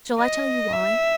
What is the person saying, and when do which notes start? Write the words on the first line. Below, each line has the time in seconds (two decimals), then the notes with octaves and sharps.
Shall I tell you why?
0.19 D#5
0.73 E5